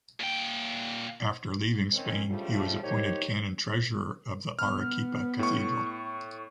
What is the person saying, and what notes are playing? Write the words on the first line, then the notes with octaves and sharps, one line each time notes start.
After leaving Spain, he was appointed canon treasurer of the Arequipa cathedral.
A#2 G5
D#3 C4 C#4
C#3 F3 G3 A3 D4 F4
A#3 D#4 G4 C5 C#5
B3 F6
A2 C#6